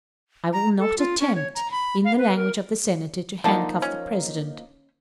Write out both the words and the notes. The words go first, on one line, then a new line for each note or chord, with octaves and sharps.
I will not attempt, in the language of the Senator, to handcuff the President.
A#5
A4
F4
C#4
C#5
A#5
B5
F5
B4
A#4
D3 F3 A#3 D#4 A5
C#4